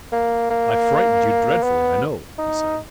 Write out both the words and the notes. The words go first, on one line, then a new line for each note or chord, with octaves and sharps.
"I frightened you dreadfully, I know," he said.
A#3
A#3
B3
D#4